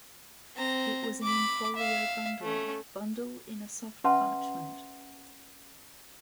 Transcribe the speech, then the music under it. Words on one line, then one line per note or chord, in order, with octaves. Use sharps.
It was an in-folio bundle, bundle in a soft parchment.
C4 A#5
B5 D6
E5 F5
A3 C#4
C#4 B4 E5 F#5 A5 C6